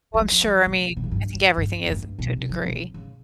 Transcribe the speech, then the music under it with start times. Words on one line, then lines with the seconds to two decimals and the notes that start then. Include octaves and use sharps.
Well, I'm sure, I mean, I think everything is to a degree.
0.14 G3
0.20 F3
0.43 F3
0.66 C#3
0.89 C#3
0.97 C3
1.04 C#3
1.11 G2
1.35 G2
1.57 G2
1.86 F2
1.92 G2
2.19 A#2
2.26 C3
2.49 F3
2.66 C3
2.72 C#3
2.94 C#3